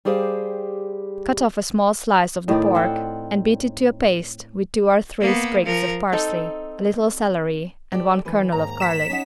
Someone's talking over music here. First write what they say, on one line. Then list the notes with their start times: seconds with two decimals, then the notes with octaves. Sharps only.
Cut off a small slice of the pork and beat it to a paste with two or three sprigs of parsley, a little celery and one kernel of garlic.
0.05 G3 G4 G#4 C5 F5
2.48 A2 D#3 D#4 D5
2.75 C4 F4 C5 F#5
5.21 A#3 B3
5.65 F3 A#4
6.12 C4 D#4 A4
7.92 G4 A4 D5
8.25 D2 E3 B4
8.52 D#2 G#2 A#5
8.80 B6 E7
9.10 C#4 D#4 F#5